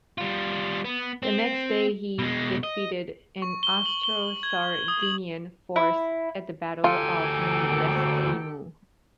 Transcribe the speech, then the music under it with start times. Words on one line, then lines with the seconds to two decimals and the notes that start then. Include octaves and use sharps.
The next day he defeated an Austro-Sardinian force at the Battle of Millesimo.
0.18 G3 F4
0.85 B3
1.23 C4
2.19 B2 G#3
2.63 D#5
3.42 C#6
3.63 G7
3.86 F#7
4.03 G7
4.43 G#6
4.88 D#6
5.03 F#7
5.76 E4
6.84 D2 D#4 F4 G4 A4 G#5